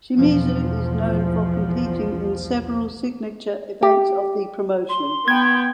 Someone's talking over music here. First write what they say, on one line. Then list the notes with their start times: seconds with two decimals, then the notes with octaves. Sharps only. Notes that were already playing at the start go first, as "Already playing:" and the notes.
Shimizu is known for competing in several signature events of the promotion.
0.15 B1 E2 F3
3.83 G4
4.89 C6
5.28 B3 G5 G#6